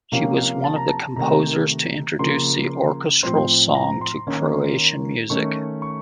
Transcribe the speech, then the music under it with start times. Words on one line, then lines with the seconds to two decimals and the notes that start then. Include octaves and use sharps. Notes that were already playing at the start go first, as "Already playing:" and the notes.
She was one of the composers to introduce the orchestral song to Croatian music.
0.12 C3 F3 A#3 C#4 F5
0.38 F5
0.64 A5
0.76 A#5
0.89 A5
1.16 C3 D#3 A3 A#5
2.19 C#3 F3 A#3 C6
3.23 A2 F3 C4 C6
3.75 A#5
4.01 C6
4.27 D#3 A#3 C#4
5.30 D#3 A3 C#4 C#6
5.82 C#6